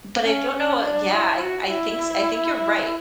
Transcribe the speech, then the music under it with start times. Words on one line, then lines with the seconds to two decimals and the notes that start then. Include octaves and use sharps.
But I don't know i Yeah, I I thinks I think you're right,
0.23 C#4
0.53 C#4
0.82 D4
1.11 E4
1.40 F#4
1.70 E4